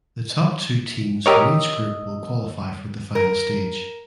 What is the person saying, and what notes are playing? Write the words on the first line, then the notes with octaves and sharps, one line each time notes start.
The top two teams from each group will qualify for the final stage.
G4 A#4 C#5 D#5 D#6 E6
A#4